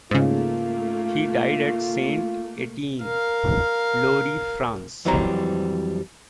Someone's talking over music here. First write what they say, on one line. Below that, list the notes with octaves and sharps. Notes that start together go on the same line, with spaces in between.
He died at Saint Etienne, Loire, France.
G#2 C#3 A3 A#3 F4
A#4 F5
F2 E3 F#3 G3 C4 A#5